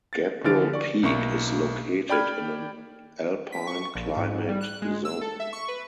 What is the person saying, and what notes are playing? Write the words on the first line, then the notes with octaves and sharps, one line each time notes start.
Gabbro Peak is located in an alpine climate zone.
A6
D3 E3 F3 F6 A6 D7
D5 C#6
B1 A#3 E5 C#6 C#7
D5 G5 B5 F6 G#6
B6
C#6
A#1
G#2
G3
F#6
G#3
E6
A4
E5
C#6
B4